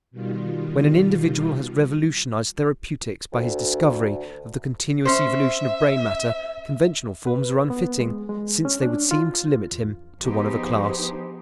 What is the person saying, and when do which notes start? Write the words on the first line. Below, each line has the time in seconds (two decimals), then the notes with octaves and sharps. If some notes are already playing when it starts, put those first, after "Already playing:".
When an individual has revolutionised therapeutics by his discovery of the continuous evolution of brain-matter, conventional forms are unfitting, since they would seem to limit him to one of a class.
0.11 B2 D#3 G3 F4
3.32 D2
5.05 C#4 C5 E5
7.27 B4
7.70 B3
8.00 G#3
8.29 G#3
8.65 C#4
8.82 D4
9.11 F4
9.72 E2
10.21 F3 B3 D#4 G4 G#4 C5